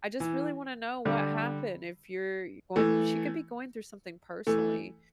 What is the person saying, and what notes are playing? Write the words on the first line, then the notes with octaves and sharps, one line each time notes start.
I just really wanna know what happened, if you're going" she could be going through something personally,
E3
D3 G3
E3 A3
E3 A3